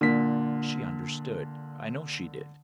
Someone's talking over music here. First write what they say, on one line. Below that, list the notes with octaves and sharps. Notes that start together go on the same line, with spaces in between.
She understood, I know she did.
A#2 D3 B6